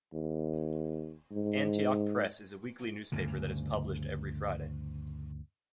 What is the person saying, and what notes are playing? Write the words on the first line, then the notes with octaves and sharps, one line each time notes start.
Antioch Press is a weekly newspaper that is published every Friday.
D#2
G#2
D2 G2 C#3